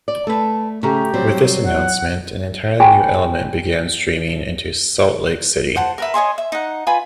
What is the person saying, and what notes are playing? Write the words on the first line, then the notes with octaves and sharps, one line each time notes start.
With this announcement, an entirely new element began streaming into Salt Lake City.
D5
A3 A4 B4
C#3 A3 F#4 G4 A#5
F#3 G3 C4
F#5
G4 G#4 G5 G#5 B5
C5 F#5 A5
A#4 B4 E5
C#5 D#5 G#5 C6
E5
D#4 F#5
F4 B4 G#5 B5